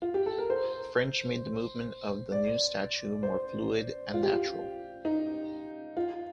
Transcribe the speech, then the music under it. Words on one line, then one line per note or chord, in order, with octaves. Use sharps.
French made the movement of the new statue more fluid and natural.
F4
G4
A4
A#4
C5
D5
C5
F4
G4
F4
D#4
F4